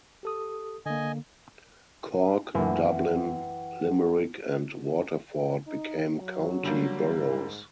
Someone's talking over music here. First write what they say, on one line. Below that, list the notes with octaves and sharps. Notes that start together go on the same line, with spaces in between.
Cork, Dublin, Limerick and Waterford became county boroughs.
G4 A4 D#6
D3 A#3 D#5 G#5
F#2 A#2 D3 E3 F#5 G5
D#4
F#3
D3 G3 A#3
G#2